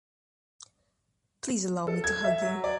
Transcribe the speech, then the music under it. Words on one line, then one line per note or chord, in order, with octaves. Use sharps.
Please allow me to hug you.
A4
G#6
E5
F#3
D5